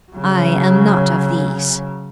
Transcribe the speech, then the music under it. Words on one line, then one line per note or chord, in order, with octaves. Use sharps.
I am not of these.
C#3 F#3